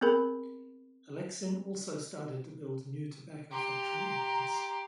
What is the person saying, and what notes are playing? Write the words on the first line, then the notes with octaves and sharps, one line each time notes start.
Aleksin also started to build new tobacco factory in Minsk.
B3 C4 G#4 A#4 B5
G4 A#5 C6